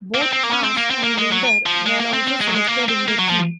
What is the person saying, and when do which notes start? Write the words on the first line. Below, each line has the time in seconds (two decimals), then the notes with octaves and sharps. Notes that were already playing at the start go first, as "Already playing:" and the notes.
Both Pash and Lindner were also selected in the team.
0.14 A#3
0.22 C4
0.33 C4
0.43 A#3
0.53 C#4
0.64 C4
0.77 A#3
0.90 C4
1.03 A#3
1.18 G#3
1.32 F#3
1.66 F3
1.86 G#3
2.00 A#3
2.13 C4
2.27 C4
2.41 G#3
2.47 F#3
2.54 G#3
2.67 A#3
2.88 C4
3.08 A#3
3.18 F#3
3.29 F3